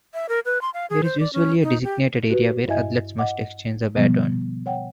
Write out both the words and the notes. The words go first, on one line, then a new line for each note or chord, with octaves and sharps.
There is usually a designated area where athletes must exchange the baton.
E5
A#4
B4
C6
F5
G#4
C5
D5
C#4
D#4
G4
F#4 G4 B4
G2 E4 D#5 E5 G#5 G#6
D#5 F#5 D6
B2 D3 F3 G3 B3
C#5 F#5 G5